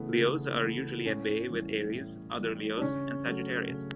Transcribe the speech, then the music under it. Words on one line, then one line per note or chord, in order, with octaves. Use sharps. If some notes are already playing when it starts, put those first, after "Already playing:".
Leos are usually at bay with Aries, Other Leos and Sagittarius.
Already playing: C#3 E3 A3 B3
C#3
E3 A3
A2 C#4
E3 G3
A2
E3 G3
D4
C#3 C#4
F#3 A3
C#3